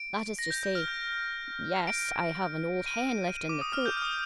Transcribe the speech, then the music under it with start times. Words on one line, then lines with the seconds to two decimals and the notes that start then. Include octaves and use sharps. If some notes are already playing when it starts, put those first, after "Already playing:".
That is to say--yes--I have an old hen left in the coop.
Already playing: D7
0.39 A#6
0.50 G6
0.63 G6
0.75 F6
0.88 G6
1.87 D7
2.86 D#7
3.49 D6
3.61 D#6
3.73 F6
3.86 G6
3.97 F6
4.02 D#6